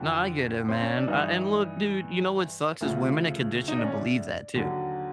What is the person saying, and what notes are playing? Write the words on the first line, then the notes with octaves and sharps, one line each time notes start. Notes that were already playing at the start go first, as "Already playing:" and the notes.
Nah, I get it man, uh, and look, dude, you know what sucks is women are conditioned to believe that, too.
Already playing: F2 D3 F3
C4
C#4
D4
G2 E3 G3 D#4
D2 C#3 F3
D#4
D4
C#4
D4
D#2 D3 F#3